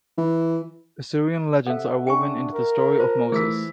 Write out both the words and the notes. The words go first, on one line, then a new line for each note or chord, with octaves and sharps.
Assyrian legends are woven into the story of Moses.
E3
C3 A4 E5 F#5
D4 G5 G#5 C#6
A#4
F4 C5 A5
E3 A3 G#4 D#6 E6 B6